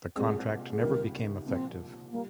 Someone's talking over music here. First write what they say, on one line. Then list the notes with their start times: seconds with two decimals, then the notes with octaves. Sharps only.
The contract never became effective.
0.16 C2 A#2 G#3 C4 G#4
0.73 G#4
0.81 C#2 C3 D#3 G3 A#4
1.46 C2 A#2 F3 C4
2.11 G3 A#3